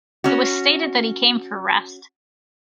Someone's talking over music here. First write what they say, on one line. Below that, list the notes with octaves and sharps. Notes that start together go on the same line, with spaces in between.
It was stated that he came for rest.
C#4 F#4